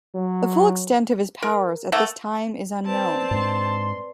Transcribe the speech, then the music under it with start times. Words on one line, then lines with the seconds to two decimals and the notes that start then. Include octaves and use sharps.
The full extent of his powers at this time is unknown.
0.15 F#3
1.42 A#4
1.92 A3 A#3 E5 F#5
2.86 C4 B4 D5 A5
3.31 G#2 G#3 D4 C6